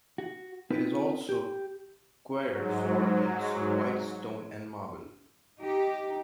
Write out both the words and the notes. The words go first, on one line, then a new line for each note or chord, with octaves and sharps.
It is also quarried for its white stone and marble.
F#4
C4 D#4 F4 B4
G4
G#2 F#3
D#4 G4